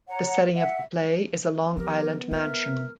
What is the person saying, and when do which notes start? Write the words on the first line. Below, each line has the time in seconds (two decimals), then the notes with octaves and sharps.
The setting of the play is a Long Island mansion.
0.07 C#5 F#5 A#5
0.55 E5 F#5
1.77 F3 B3 G4 A#4
2.31 F4 A#4 E5